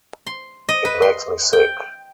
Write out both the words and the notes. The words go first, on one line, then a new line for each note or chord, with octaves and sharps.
It makes me sick.
C6
D#5
B4
C6
G5